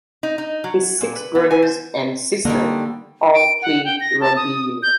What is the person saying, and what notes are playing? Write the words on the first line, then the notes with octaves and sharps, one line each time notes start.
His six brothers and sister all played rugby union.
D#4
D#4
F#3
A#2
B4
B3
G#5
C5
D3 D#3 G3 A#3
D7
F#5
G5
A#6
A5
D#6
G6